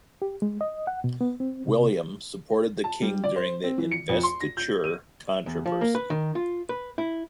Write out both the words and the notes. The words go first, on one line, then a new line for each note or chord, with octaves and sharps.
William supported the king during the Investiture Controversy.
G4
G#3
D#5
F#5
B2
B3
C4
C3
A5
G3
D5
C5
C4
E3
C#7
F2
C6
A#6
G6
D#7
E2
F3
A#3
B4
D#3
F4
B4
E4